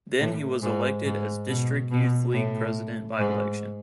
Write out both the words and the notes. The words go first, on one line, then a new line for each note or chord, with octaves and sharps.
Then he was elected as district youth league president by election.
A2
G#2
G#2
B2
B2
A2
G#2